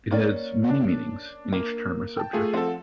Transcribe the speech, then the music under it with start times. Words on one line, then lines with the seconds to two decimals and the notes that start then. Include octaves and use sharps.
It has many meanings in each term or subject.
0.11 A#3 C#4 D5
0.70 D4
1.52 A#3
2.17 G5 A5
2.33 A3 F4 G#4
2.54 F3 C4 A4 F#5